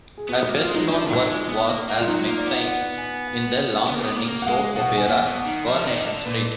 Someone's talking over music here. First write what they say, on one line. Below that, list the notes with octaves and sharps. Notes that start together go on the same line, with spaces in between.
Her best known work was as Maxine in the long-running soap opera "Coronation Street".
G#4
B3 F#4
A#3
F4
G#3
D#4
F3 D4
F#3
G#3
B3
A#3
A#3
G#3 F4
F#3 D#4
A#3
D5
B3
F#5
G#5
F#5
B3
A#3
B3
A#3
F#5
G#3 F5
B2 F#5
G#5
A#2 F#5
B2
F#5
D#3
F3 F5
D#5
D#3 D5
D#5
D3
A#2 B4